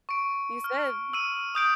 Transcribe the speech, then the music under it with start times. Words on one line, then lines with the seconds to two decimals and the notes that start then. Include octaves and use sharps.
you said,
0.09 C#6 D7
0.64 F6
1.13 E6 D#7
1.55 D#6 G6 D7